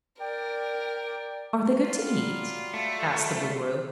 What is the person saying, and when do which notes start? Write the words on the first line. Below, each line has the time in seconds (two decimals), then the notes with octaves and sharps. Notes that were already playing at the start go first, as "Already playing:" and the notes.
"Are they good to eat?" asked the Boolooroo.
0.20 A#4 D5 G5
1.84 F#3 G3 F4
2.74 A3